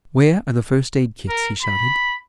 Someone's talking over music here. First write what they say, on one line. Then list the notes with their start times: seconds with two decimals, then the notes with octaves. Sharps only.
"Where are the first-aid kits?" he shouted.
1.29 A#4
1.62 B5